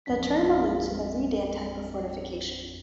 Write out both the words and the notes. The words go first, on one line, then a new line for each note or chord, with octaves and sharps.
The term alludes to the "Redan" type of fortification.
A1 F2 C4 D4 B6